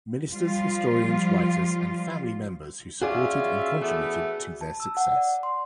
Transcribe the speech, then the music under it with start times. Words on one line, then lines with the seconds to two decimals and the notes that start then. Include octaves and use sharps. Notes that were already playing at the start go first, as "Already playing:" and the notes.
Ministers, historians, writers, and family members who supported and contributed to their success.
0.30 F3 G3 F4
3.02 C#4 F4 F#4 G#4 D5 E5
3.81 E3 A3 B3
4.61 A5
4.80 E6
4.97 F#5
5.16 D5
5.43 C6